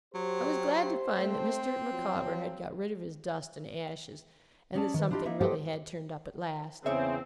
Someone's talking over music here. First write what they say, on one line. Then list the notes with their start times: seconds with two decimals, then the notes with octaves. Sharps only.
I was glad to find that Mr. Micawber had got rid of his dust and ashes, and that something really had turned up at last.
0.15 F#3 G4 C5
1.15 A3 C4
1.92 F3 F#3
4.74 G3 C#4 G#4 D5 G#5 A5
4.94 D#3 B4
5.11 D4 E4 F4 G4 D#5
5.25 A#3 D#4 D#5 E5
5.41 G4 A4 C5 D#5 F#5 G5
6.86 E2 C#3 C4 G#4 C#5 E5